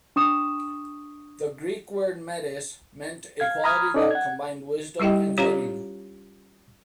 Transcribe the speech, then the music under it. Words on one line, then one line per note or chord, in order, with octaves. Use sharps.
The Greek word "metis" meant a quality that combined wisdom and cunning.
D4 C#6 D#6 E7
F5 G#6
A#5 B5 D#6 F6 G#6
C#4 D#4 A4 D5 D#5
F#5 G#6
G3 E4 G4 D#5 G5
C#4 F4 G4 C#5 F5 A#5